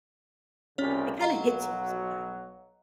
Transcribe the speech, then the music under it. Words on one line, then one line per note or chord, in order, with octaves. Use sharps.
it kinda hits you sometimes.
C2 A#2 C#3 C#4 C#5
B1 F#3 D#5 F5 A#5